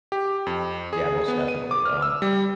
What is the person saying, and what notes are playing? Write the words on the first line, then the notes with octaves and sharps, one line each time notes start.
yeah, most definitely, um
G4
F2
G#4
B3
D#7
D6
F6
E6
G3